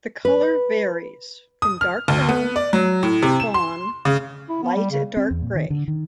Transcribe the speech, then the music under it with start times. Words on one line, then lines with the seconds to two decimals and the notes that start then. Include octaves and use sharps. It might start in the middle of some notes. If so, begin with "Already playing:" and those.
The colour varies from dark brown, fawn, light and dark grey.
0.25 B4
1.62 D#6
1.81 F6
2.08 D2
2.29 B3
2.56 D5
2.73 F#3
3.03 A2
3.22 C3
3.40 E7
3.54 C6
4.05 C#3
4.49 E4
4.63 B3
4.76 G3
4.91 C#3
5.17 C4
5.31 E2
5.42 A#2
5.55 D#3
5.70 D3
5.88 D#3